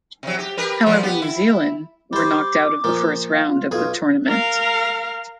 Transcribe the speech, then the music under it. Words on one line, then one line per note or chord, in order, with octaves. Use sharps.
However New Zealand were knocked out of the first round of the tournament.
C3 F#3
G4
G4 A#4 B4
A#2 F3 A3
B3 G4
E4
G3 C5 D6
A#2 F3
F5
F4
B1 F4 G#4
A#4 F5